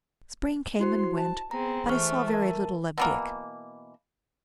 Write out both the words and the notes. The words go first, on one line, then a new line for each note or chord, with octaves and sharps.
Spring came and went, but I saw very little of Dick.
E4 F#4 C5 C6
A5
B3 C4 G#4 A#5
E3 A3 C5 C#6 F6
A#4 A5
B2 E3 A#3